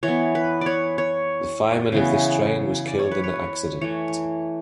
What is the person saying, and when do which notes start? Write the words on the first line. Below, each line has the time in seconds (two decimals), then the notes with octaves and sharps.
The fireman of this train was killed in the accident.
0.03 E3 C#5
0.08 B3
0.35 B4
0.61 C#5 D5
0.98 C#5
1.92 C#3 E3 B3
2.87 D5
2.99 C#5
3.11 B4
3.24 C#5
3.81 E3 A3 C#5